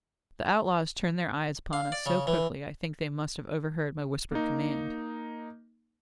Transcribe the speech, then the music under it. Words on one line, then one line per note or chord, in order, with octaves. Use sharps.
The outlaws turned their eyes upon us so quickly I think they must have overheard my whispered command.
F5
D5
C#3
E3
A#3 D#4